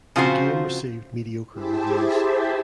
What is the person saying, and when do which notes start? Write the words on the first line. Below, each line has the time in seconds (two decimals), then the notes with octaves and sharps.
The game received mediocre reviews.
0.16 C#3 F3 C4 F4 F#4 C5
1.52 E4 G4 G#4 C5 E5 A5